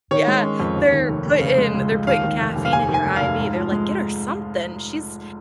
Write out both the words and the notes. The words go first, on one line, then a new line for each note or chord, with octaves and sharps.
Yeah, they're putting they're putting caffeine in your IV, they're like, "Get her something, she's
D#3 C#5
G#3
C#4
F2
D#2
D#3
F1
F1
C#3
G#3
C#2
C#2
D#2 F5
D#3
F1
F1
F5
D#2 G#5
D#3
G#5
F1
F5
F1
G#2
F3
G#3